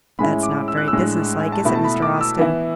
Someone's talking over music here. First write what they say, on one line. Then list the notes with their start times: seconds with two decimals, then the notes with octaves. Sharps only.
That's not very business-like, is it, Mr. Austin?
0.19 A2 G#3 C#4 E4 B5
0.43 D6
0.68 E6
0.77 F#6
0.88 E6
0.93 A2 G#3 D4
1.40 G#5
1.52 A5
1.65 B2 A3 E4 B5
1.75 A5
1.84 B5
2.02 D6
2.21 E6
2.39 E3 B3 E4